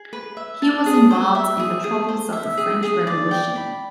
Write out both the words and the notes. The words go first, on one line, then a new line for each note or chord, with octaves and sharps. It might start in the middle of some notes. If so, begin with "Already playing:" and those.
He was involved in the troubles of the French Revolution.
Already playing: G#4
B4
E5
A5
G#4
C5
E5
G#4
G#4
C5
E5
G#4
G#4
D5
G5
B5